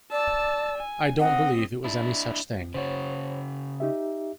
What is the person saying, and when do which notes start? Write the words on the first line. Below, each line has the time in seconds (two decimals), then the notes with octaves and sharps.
I don’t believe it was any such thing.
0.12 D5 A5 E6
0.78 G#5
1.20 C4 D#5 F#5
1.84 D4 E4
2.74 C#3 F#4 C5 C#5
3.80 D#4 G4 E5